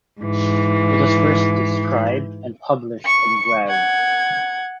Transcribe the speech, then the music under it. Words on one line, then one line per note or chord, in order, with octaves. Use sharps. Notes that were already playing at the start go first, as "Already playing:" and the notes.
It was first described and published in Rev.
G#2 E3
C#6 C#7
F#5 G#6